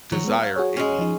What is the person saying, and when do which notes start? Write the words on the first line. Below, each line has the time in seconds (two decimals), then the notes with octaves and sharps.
desire in me
0.12 D#3 F3 F#3
0.24 G#3 B3
0.43 F5
0.56 F#4 G#4 C#5
0.77 G#3 C#4
0.99 F3 D#4